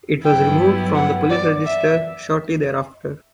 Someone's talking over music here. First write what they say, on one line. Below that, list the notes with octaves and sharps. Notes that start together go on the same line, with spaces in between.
It was removed from the police register shortly thereafter.
G2 F#3 B3 E4 G5
F#5
D5
E5